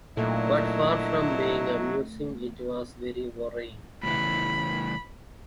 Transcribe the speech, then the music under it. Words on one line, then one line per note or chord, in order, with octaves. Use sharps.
But far from being amusing, it was very worrying.
A#2 D3 F#3 A3 D#4 E4
A2 C#3 E3 B5